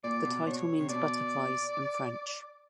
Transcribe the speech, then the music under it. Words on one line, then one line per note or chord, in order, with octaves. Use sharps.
The title means 'butterflies' in French.
A#2 D5
B2
B2 C#5
C3
B2 D5